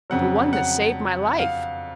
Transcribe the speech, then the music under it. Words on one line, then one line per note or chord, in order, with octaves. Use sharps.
"The one that saved my life."
F2 C#3 F#3 F#5
F#5
F5